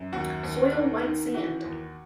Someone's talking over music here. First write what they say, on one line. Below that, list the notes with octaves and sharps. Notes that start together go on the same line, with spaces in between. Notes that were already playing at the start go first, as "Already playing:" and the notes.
Soil white sand.
Already playing: F#2
D#2 F#4
D#2
D#3
D#3
E3 F#4
D#2